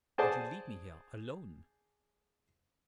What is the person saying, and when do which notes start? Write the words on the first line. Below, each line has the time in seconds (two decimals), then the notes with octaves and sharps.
"And you leave me here, alone!"
0.18 G#4 C5 D5 F#5 A5